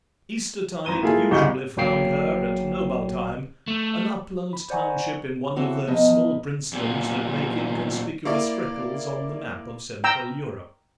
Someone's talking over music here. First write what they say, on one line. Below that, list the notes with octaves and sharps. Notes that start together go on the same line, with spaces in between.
Eastertide usually found her at Knobaltheim, an upland township in one of those small princedoms that make inconspicuous freckles on the map of Central Europe.
G#1 A#5 D#7 G7
A#3 E4 F4 G#4 A4
G1 C2 C#3 D#5 C#6 G7
A1 F#3 A#3 G5 C7
A3
B5
C5 D5 F#5 G#5 A#5 C#6
C#3 E3 C4 F#4 A4 F#5
E2 B2 F3 B4 D#5
E2 A#2
A#3 E4 D5
G5 A#5 E6